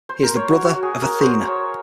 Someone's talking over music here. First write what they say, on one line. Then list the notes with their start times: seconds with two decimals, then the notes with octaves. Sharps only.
He is the brother of Athena.
0.09 C5
0.23 A#4
0.36 C#5
0.50 F#4
0.65 F#4
0.83 G#4
1.02 A#4
1.20 C5
1.47 C#5